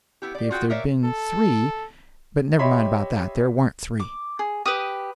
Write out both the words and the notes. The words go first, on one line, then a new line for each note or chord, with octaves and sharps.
If there'd been three--But never mind about that, there warn't three.
B3 E4 G4
G4 D5
F4 F#4 G#4 G5
G4 A#4 C#5 D5 E5 F5
A4
G4 C#5 D#5 E5 B5 C6
D6
G#4
G4 B4 D#6